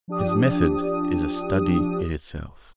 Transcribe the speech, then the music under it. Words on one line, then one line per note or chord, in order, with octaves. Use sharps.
His method is a study in itself.
F3 D4 G4 D#6